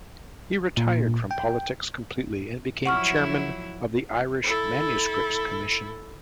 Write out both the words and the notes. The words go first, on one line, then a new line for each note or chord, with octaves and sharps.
He retired from politics completely and became Chairman of the Irish Manuscripts Commission.
A#2
G5
F3 F#3 E4 F#5 C#6 F6
E4 A4